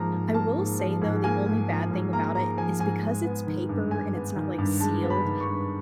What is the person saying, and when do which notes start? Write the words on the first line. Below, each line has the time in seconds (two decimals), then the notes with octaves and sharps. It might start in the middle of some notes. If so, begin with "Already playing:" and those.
I will say though, the only bad thing about it is because it's paper and it's not, like, sealed,
Already playing: G#2 F3 A#3 A#5
0.13 G#2
0.34 A#3 A5
0.58 G#2
0.79 F3
1.01 G#2
1.24 A#3 G#5
1.46 G#2
1.69 F3
1.91 G#2
2.13 A#3 A#5
2.35 G#2 A#5
2.57 F3 G#5
2.80 G#2 G#5
3.02 G#3
3.24 B3
3.47 D#3
3.69 G2
3.91 G#3 G#5
4.14 B3
4.36 D#3
4.58 G2
4.80 G#3 A5
5.03 B3
5.10 B5
5.25 D#3
5.40 C#6
5.47 G2